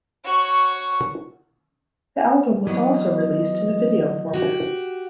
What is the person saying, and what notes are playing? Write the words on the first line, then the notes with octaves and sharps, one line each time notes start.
The album was also released on in video format.
F#4 C#5
E3 F#3 B3 D#5
F#4 G4